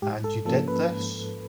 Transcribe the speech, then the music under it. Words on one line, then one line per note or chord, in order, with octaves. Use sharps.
And you did this?
G#2 G4
A4
F3 A#3 C#4 A4
B4
G#2